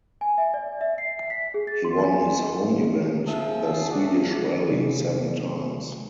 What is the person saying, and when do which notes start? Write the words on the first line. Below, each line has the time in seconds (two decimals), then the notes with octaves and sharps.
He won his home event, the Swedish Rally, seven times.
0.21 G#5
0.38 E5
0.54 D5
0.81 E5
0.98 C7
1.30 B6
1.54 G#4
1.67 A6
1.85 C6
2.04 G#5
2.39 D#5
3.27 F3 C4 G#4 E5 A5
3.89 A#2 C#3 F#3 D4
4.68 C3 D#3 F#3 A3 F4 G#4